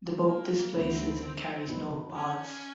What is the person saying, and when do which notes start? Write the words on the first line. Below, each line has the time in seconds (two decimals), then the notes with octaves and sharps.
The boat displaces and carries no ballast.
0.26 A#3
0.74 D2 D3 F#3 B3 C4 E4
1.67 F#2 D#3 F#3 B3
2.15 C#4